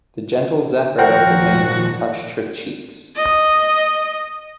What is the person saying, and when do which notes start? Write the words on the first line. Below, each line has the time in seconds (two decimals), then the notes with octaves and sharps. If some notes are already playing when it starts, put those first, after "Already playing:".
The gentle zephyr of the wind touched her cheeks.
0.99 D#2 A#2 F3 F#4 A#4 C5 F#5 G5
3.16 D#5